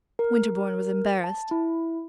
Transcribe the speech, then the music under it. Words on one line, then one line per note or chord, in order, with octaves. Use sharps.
Winterbourne was embarrassed.
A#4
A5
E4